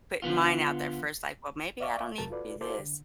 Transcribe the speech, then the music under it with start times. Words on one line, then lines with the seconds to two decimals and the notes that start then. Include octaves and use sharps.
put mine out there first, I "Well maybe I don't need to do this,
0.22 D3 F3 B3 F4
1.80 D5 E5 F5 C#6 D6
2.18 F2 C3 F#3 A#4 A5
2.30 F4 F#4 A4 B4 D5
2.61 E4 F#4 A4 C5 D6
2.79 D3